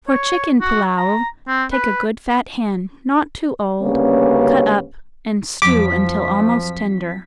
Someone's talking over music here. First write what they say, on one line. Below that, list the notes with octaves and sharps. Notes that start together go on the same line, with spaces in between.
For chicken pullao, take a good fat hen, not too old, cut up and stew until almost tender.
C#5
F#4
A#5
C4
B4
D2 C#3 G3 A#3 B3 C#4
F2 F3 F#3 D6 B6